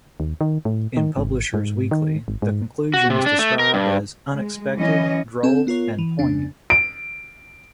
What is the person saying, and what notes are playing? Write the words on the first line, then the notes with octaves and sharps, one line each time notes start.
In "Publishers Weekly", the conclusion is described as "unexpected, droll, and poignant".
D#2
D#3
A2
D#3
G#1
G#2
D#3
G#1
G#2
F#4
C3
D4
A3
A#4
G2
G#3
E3 F#3 C#4 D#5
C4 A4 G#5
B3 F4 A#4 C#5
E3
F2 C#3 D4
D7